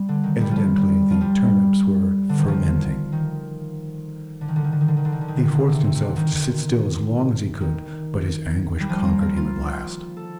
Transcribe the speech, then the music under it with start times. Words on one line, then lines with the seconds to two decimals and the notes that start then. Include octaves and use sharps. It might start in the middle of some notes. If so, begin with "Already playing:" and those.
Evidently the turnips were "fermenting." He forced himself to sit still as long as he could, but his anguish conquered him at last.
Already playing: G3
0.09 D3
0.23 D#3
0.40 G3
0.51 F3 G3
1.10 F3
1.21 G3
2.29 D3
2.38 D#3
2.48 F3
3.12 D#3
4.41 D3
4.48 D#3
4.56 D3
4.64 D#3
4.72 D3
4.81 D#3
4.88 D3
4.97 D#3
5.05 D3
5.12 D#3
5.21 D3
5.28 D#3
5.36 D3
5.44 D#3
5.53 D3
5.69 C3
5.84 C3
5.95 C3
6.01 D3
6.17 D#3
7.61 D#3
8.80 G3
8.89 F3
9.05 A#3
9.21 A#3
9.37 F4
10.17 A4